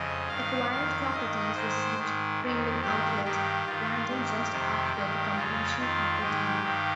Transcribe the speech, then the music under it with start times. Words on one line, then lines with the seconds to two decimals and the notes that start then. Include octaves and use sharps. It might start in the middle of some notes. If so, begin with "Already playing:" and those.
The acquired properties received Premium Outlet branding just after the completion of the deal.
Already playing: F2 C#3 D#5
0.29 G2 D#3 F5
0.70 F2 D#3 F5
1.13 G2 D#3 D#5
1.55 G#2 D#3 C5
1.98 G#2 D#3
2.40 F2 D#3
2.82 G2 D#3 G4
3.24 G2 D#3 G4
3.66 G2 D#3 F4
4.09 G2 D#3 G4
4.51 F2 C3 D#3
4.93 G2 D#3
5.36 F2 C#3 F4
5.77 F2 D#3 F4
6.20 G#2 D#3 G4
6.62 G2 D#3